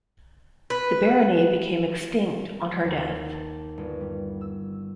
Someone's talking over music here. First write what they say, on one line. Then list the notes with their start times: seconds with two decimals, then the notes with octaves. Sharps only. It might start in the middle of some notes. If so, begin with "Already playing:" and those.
The barony became extinct on her death.
0.70 B4
2.85 D#2
3.34 A5
3.78 G1
4.01 G3
4.41 E6